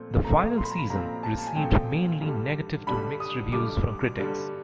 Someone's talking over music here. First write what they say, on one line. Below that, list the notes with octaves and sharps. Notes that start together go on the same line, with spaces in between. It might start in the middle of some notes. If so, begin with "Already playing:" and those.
"The Final Season" received mainly negative to mixed reviews from critics.
Already playing: A#2 F3 A3 C4
A#2 F3 A3 C4 A#5
C6
B5
A#5
B5
A#2 F3 A3 C4 A#5
A5
A5
G#5
A#2 F3 A3 C4 G5
G2 D3 G3
G2 D3 G3 B5
D#6
G2 D3 G3 D6
G2 D3 G3